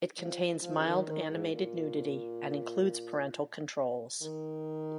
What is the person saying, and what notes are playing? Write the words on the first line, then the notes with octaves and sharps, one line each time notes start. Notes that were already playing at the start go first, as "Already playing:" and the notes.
It contains mild animated nudity and includes parental controls.
F3
F3
C#3
D#3
D#3
G#2
A#2
D#3